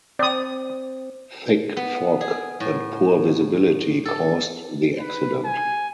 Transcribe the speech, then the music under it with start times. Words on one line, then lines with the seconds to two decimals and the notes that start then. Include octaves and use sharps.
Thick fog and poor visibility caused the accident.
0.19 C4 D5 D#6
1.77 B3
2.21 G#4
2.60 A2
4.05 A4
5.00 B4
5.45 G#5